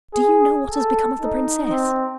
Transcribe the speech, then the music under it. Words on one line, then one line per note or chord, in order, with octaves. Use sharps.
Do you know what has become of the princess?'
G#4
A4
D#4
C4